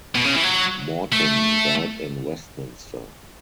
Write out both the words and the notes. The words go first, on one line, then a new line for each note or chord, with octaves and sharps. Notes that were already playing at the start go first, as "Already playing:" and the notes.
Morton died in Westminster.
B2
C#3
E3
F#3
A3